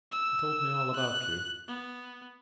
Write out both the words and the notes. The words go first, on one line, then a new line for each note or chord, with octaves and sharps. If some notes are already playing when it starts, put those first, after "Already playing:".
He told me all about you....
E6
F#6
B3